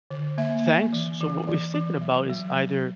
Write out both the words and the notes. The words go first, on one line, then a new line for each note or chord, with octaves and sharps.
"Thanks." So, what we're thinking about is either
D3
A#3 E5
A#3
E3
E3
E3
E3
F#3
F#3
F#3